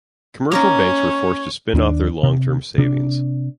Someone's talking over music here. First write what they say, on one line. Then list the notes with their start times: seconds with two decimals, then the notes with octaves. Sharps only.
Commercial banks were forced to spin off their long-term savings.
0.52 A#3 C#4 D#4 A#4 C#5
1.74 D#2 C#4 D4
2.23 C3
2.78 C3 D4